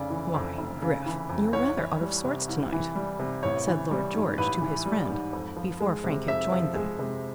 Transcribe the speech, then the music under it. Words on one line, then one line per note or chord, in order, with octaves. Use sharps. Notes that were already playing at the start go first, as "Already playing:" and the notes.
"Why, Griff, you're rather out of sorts to-night," said Lord George to his friend, before Frank had joined them.
Already playing: F1 C#3 D5
E3
F2
F1
C#3
E3
F2
C2 C#5
E3
G3
C3
C2
E3
G3
C3
A1 C#5
E3
G3
G#2
A1 B4
E3
G3
G#2
F2
F3
G#3
C3
F2 E5
F3
G#3
C3